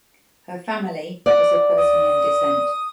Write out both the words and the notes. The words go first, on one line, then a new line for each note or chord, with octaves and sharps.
Her family is of Bosnian descent.
D5 F#5
D#6